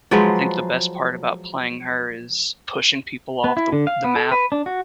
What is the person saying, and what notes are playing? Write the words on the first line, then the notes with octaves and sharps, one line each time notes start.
I think the best part about playing her is pushing people off the w the map.
F3 F#3 G#3 B4
B3
E4
D3
F5
B3
A4
B4
D4
F#4